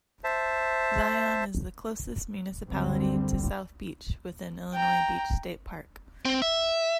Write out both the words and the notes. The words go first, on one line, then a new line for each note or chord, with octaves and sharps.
Zion is the closest municipality to South Beach within Illinois Beach State Park.
C5 E5 A5
F#1 D2 D3 G3 C4
G5 A#5
C4
E5